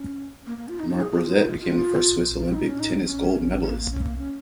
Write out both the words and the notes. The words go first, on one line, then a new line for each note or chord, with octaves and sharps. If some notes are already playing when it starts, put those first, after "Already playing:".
Marc Rosset became the first Swiss Olympic tennis gold medallist.
Already playing: C#4
A#3
A#3
F4
D#4
D#4
G#4
G#4
F4
D#4
F4
F4
F4
D#4
C#4
D#4
C#4
C#4
A#3
A#3
C#4
A#3
C#4